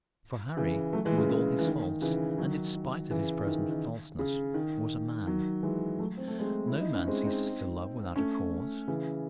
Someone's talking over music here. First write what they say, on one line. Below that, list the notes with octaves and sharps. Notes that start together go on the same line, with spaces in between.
For Harry, with all his faults, and in spite of his present falseness, was a man. No man ceases to love without a cause.
C#3 E3
F#3 A3
E3 G#3
C#3 E3
C#3
E3
D#3
C#3 E3
D#3 F#3
D#3
C#3 E3
D#3
C#3
D#3
C#3
D#3
D#3 F#3
E3 G#3
F#3 A3
C4
A3
G#3 C4
E4
D#4
C#4
G#3 C4
C4 D#4
A3 C#4
C#3 E3